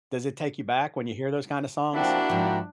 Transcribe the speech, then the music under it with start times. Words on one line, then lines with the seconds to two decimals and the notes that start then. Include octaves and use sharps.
Does it take you back when you hear those kinda songs?
1.94 F3 A#3 C4 D4 E4 F#4
2.30 G#2 F3 G5 A#5